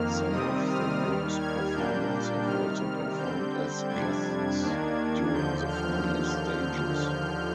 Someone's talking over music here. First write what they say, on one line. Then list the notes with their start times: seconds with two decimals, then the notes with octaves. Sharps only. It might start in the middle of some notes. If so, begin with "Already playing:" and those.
Some of the worst performers have also performed as guests during the final stages.
Already playing: F2 D#3 A#3 F6
0.31 C3 D#3 G3 C4 D#6
0.67 F6
1.03 D#2 D#3 G3
1.38 G#6
1.74 A#2 G3 A#3 D4 G6
2.46 C3 D#3 G3 F6
3.18 D3 G3 C4 G6
3.89 F2 C3 G3 D4 G#6
4.60 D#2 D#3 A#3 D4
5.33 D#2 D3 F3 G6
5.68 F6